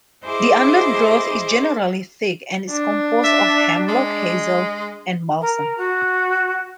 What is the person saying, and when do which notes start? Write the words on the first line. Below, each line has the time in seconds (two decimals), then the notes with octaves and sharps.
The undergrowth is generally thick and is composed of Hemlock Hazel and Balsam.
0.25 E4 G#4 C5 D#5 D6
2.70 D4
3.24 E5
3.88 G#3
5.41 A#4
5.77 F#4